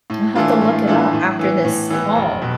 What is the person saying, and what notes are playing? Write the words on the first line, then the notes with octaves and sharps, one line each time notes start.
I have to look it up after this call.
A2
E3 A3 D4 F4
A2
E3 A3 D4 F4
A2
E3 B3
A2
E3 B3
F1
B2